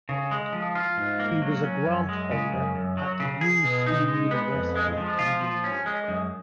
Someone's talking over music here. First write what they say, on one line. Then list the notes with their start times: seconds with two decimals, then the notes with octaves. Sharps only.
He was a grant holder at the New School University in New York.
0.09 C#3
0.31 G#3
0.52 F3
0.75 F4
0.97 G#2
1.20 A#3
1.42 F#3
1.63 C#4
1.86 F#2
2.09 G#3
2.31 C#3
2.52 F#2
2.75 F#2
2.97 F#3
3.20 C#3
3.41 G#4
3.64 B2
3.86 D#4
4.08 G#3
4.31 B3
4.52 F2
4.75 G#3
4.97 F3
5.19 F4
5.41 F3
5.64 C#4
5.86 G#3
6.08 F#2